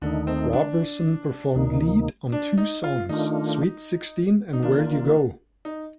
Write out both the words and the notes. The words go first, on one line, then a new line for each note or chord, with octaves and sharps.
Roberson performed lead on two songs: "Sweet Sixteen" and "Where'd You Go".
D#2 D3 D#3 A3 D#4
C4
D4
D2 C3 D#3 A#3 D#4
D4
D#4
F4
D#3 A3 D4 D#4 F4
D#4
D#3 A#3 D4 F4
D#4